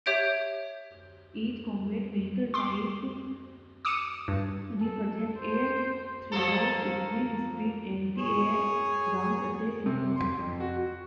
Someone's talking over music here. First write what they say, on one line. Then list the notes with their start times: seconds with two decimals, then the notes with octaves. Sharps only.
Each combat vehicle type represents a tradeoff between speed, anti-air, ground-attack, and cost.
0.06 G4 C#5 E5 G6 G#6 D7
2.54 C6 D6
3.85 D6 D#6 C#7 D#7 E7
4.28 G2
4.79 A4
5.39 C5
6.32 F3 A#3 A4
8.18 G#4 C#5
9.86 C3
10.16 C6
10.39 F2
10.60 F#4
10.76 F#4